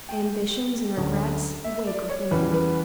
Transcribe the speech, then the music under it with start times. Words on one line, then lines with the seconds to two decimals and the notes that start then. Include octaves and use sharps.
Ambitions and regrets awake within him.
0.09 G5
0.97 D2 D3 F#3 C#4
1.65 E5
1.87 D5
2.10 C#5
2.31 E2 C#3 E3 G3 B4
2.54 B4